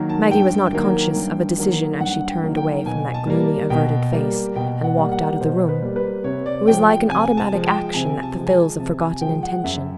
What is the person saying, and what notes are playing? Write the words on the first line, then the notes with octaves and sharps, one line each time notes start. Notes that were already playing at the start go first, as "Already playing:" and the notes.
Maggie was not conscious of a decision as she turned away from that gloomy averted face, and walked out of the room; it was like an automatic action that fulfils a forgotten intention.
Already playing: D#3 F#3 A#3
A5
G2 G5
D#3 F#3 A#3
G2
D#3 F#3 A#3
G2 F#5
G5
D#3 F#3 A#3
G5
B2 G#5
A5
G3 A#3
B2 G5
G3 A#3
B2 G5
F#5
G3 A#3
F#5
B2 C5
B4
G3 A#3
B4
C3 C#5
D5
F3 G#3 G5
G5
C3 G#5
A5
F3 G#3
G5
C3 G#5
A5
F3 G#3
G#5
A5
C3 A5
G#5
F3 G#3 G5
F#5
F#2 E5